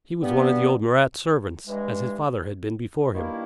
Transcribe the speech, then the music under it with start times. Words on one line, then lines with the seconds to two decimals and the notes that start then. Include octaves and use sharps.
He was one of the old Murat servants, as his father had been before him.
0.22 G2 G3 B3
1.67 G2 E3 G#3
3.13 G2 D#3 A#3 E4